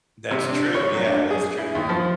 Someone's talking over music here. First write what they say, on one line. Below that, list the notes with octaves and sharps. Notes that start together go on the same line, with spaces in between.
That's true, yeah, that's true.
C3
D4
C#5
F#3
D4
G#4
E4
D#2
F3